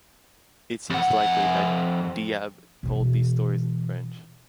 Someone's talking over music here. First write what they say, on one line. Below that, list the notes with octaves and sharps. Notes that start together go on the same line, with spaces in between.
It seems likely that Diyab told these stories in French.
F2 F#5
B2 E3